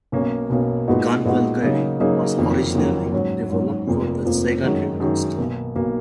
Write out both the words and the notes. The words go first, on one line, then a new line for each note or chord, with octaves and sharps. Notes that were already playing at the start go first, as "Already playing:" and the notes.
"GunValkyrie" was originally developed for the Sega Dreamcast.
B1 B2 A#3 C#4
B1 B2 A#3 C#4
A#2 G#3 B3 D#4 F#4
A#2 G#3 B3 D#4 F#4
C#3 F#3 A#3 D#4 G#4
C#3 F#3 A#3 D#4 G#4
F#1 F2 D#3 F#3 A#3
F#1 F2 D#3 F#3 A#3
G#2 F#3 C#4
G#2 F#3 C#4
F1 F2 F3 A#3
F1 F2 F3 A#3
F#2 D#3 G#3 C#4 F#4
F#2 D#3 G#3 C#4 F#4
B1 B2 A#3
B1 B2 A#3